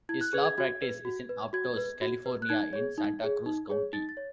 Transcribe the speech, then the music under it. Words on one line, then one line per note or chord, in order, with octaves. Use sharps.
His law practice is in Aptos, California in Santa Cruz County.
E4 G#6
F#6
G#4 B4 G#6
G#6
F#4 G#6
B4
F#4
B4
F#4 G#6
B4
F#4
B4
F#6
D#4 G#6
G#4 C#5
D#4
G#4 C#5
D#4
G#4 C#5
D#4 A6
A6
C#5